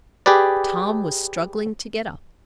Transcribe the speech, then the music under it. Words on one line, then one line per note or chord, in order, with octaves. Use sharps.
Tom was struggling to get up.
G4 G#4 B4 D5